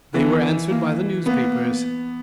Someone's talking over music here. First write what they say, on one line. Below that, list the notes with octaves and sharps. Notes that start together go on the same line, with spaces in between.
They were answered by the newspapers.
E3 B3
A#3
A#3 B3